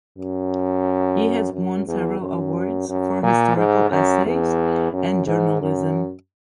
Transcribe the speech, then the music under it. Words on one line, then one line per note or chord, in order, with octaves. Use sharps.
He has won several awards for historical essays and journalism.
F#2
F#2
E2
F#2
F#2
A#2
G#2
F#2
E2
F#2
G#2
F#2